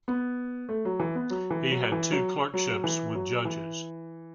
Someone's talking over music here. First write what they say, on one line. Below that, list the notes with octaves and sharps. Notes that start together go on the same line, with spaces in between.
He had two clerkships with judges.
B3
A3
F#3
E3
B3
F#3
E3
F#3
E3
F#3
F#3
E3
F#3
E3